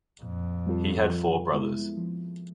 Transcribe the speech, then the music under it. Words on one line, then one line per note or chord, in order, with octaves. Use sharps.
He had four brothers.
F2 A#2
G3 C4 F4 A4
F3
G#3 B3 E4
F3